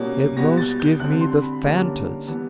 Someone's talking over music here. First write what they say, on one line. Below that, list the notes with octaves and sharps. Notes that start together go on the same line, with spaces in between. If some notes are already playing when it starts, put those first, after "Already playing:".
It most give me the fan-tods.
Already playing: B2 G3 A#3 C#4
B2 G3 B3 A#6
A6
G6
D3 G3 C4 F#6
C6
B5
D3 G3 A#3 C#4
E3 G3 B3